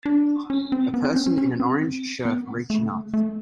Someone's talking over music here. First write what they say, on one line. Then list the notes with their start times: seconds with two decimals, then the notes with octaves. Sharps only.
A person in an orange shirt reaching up.
0.06 D4
0.50 C#4
0.72 C4
0.94 B3
1.05 C4
1.16 C#4
1.26 C#4
1.38 C#4
1.60 C4
2.25 B3
2.70 A3
3.14 A3